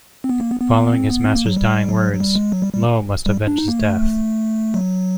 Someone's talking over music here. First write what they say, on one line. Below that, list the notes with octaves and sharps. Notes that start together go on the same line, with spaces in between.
Following his master's dying words, Lo must avenge his death.
C4
B3
A#3
B3
B3
C4
B3
C4
A#3
F#3
G3
F#3
F#3
G3
G#3
F#3
G3
G3
G3
D4
D#4
A#3
A3
F#3